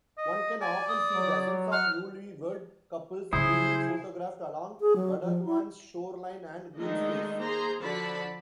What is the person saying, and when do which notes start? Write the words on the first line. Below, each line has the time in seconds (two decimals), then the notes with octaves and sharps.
One can often see dozens of newlywed-couples being photographed along Badaguan's shoreline and greenspace.
0.18 D#5
0.61 D5 G#5
0.88 D#6
1.13 F#3
1.72 F#5 F6
3.33 C#3 F#3 E4 G#4 C5 D#6
4.81 G#4
4.96 F#3
5.23 F3
5.45 E4
6.76 D#3 G#3 A3 D4 D#4 D#5
7.38 A#3 G#4 C5 A#5 C6
7.80 D3 F3 F#4 D5 A5 B5